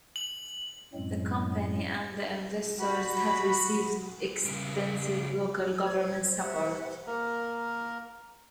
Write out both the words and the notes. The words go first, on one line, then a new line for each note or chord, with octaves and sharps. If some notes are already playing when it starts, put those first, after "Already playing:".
The company and the investors have received extensive local government support.
F#7
F#2 A2 F#3 G#3 C4
F#4 B5
C#3 G3
C5 G#6
G3 E5 F#5
A#3 A#4